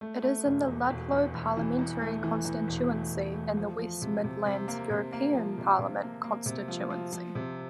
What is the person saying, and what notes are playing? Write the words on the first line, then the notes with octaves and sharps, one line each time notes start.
It is in the Ludlow parliamentary constituency and the West Midlands European parliament constituency.
A3
A3
E1
E2
E1
E2
E1
E3
E2
A3
E3
E2
E1
A3
E1
A3
F3
F3
C3
C3
C3
A#3
C3
A#3
F3
C3
C3
A#3
A#3
C3
F3
F3
F3
C3